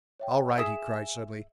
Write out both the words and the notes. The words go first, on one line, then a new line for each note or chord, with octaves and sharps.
"All right!" he cried suddenly.
C#5 E5 G5
G#4 E5 G#5 E7